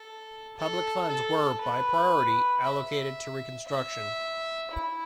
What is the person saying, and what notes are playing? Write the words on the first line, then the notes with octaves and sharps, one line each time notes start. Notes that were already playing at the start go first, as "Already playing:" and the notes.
Public funds were, by priority, allocated to reconstruction.
Already playing: A4
A4
A4
B4
E5
E5
E4